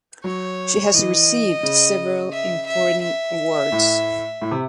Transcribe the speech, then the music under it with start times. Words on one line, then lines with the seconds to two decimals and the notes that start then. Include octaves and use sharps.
She has received several important awards.
0.24 F#3 C#5
0.94 E3 D#5
1.63 C#3
2.33 E5
2.67 E5
3.03 E5
3.72 A2
4.42 A2
4.51 C3